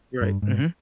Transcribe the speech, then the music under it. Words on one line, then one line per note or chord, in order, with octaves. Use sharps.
Right, mhm.
G2
G#2